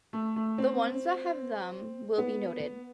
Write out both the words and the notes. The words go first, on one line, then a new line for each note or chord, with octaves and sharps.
The ones that have them will be noted.
A3
A3
C4
B3